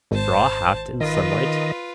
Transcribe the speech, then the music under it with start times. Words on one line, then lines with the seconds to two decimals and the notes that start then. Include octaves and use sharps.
Straw hat in sunlight.
0.11 G#1 C5 A5
1.00 D#3 F4 B4 D#5